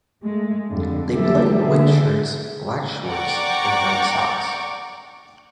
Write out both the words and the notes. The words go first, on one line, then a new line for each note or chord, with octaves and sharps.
They play in white shirts, black shorts and white socks.
G#3 A3
F2 D3 G3
E3 F#3 A#3 G4 A4 E5
D3 G#4 E5
D5 F#5 G5 A#5 C#6 D6